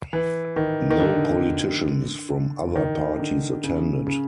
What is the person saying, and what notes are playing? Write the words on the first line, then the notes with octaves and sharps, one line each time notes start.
No politicians from other parties attended.
E3
D#3
D#3
D3
D#3
D3
C#3
C#3